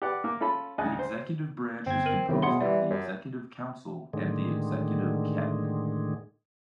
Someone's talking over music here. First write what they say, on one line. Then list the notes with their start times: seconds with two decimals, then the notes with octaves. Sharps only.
The executive branch is composed of the Executive Council and the Executive Cabinet.
0.02 G4 B4 D5 F#5
0.24 A#3 D6
0.40 C#4 F4 A4 B5
0.78 D2 C#3 D#5 G#5 A5 F#6
0.99 C5
1.86 G1 C4 G#6
2.06 A#4 D#7 F#7
2.29 E2 A2 C3 D#3
2.42 B2 G#4 C#5 F#5 C6
2.61 E3 G3 D5
2.90 F#2
4.13 A2 D3 D#3 G#3